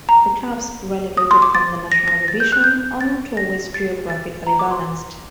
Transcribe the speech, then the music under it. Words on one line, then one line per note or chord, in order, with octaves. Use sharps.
The clubs relegated from the national division are not always geographically balanced.
A#5
D#6
C6
D6
A6
A#6
A#6
A6
G6
F#6
G6
A6
A#6
A6
A6
A#5
D6
C6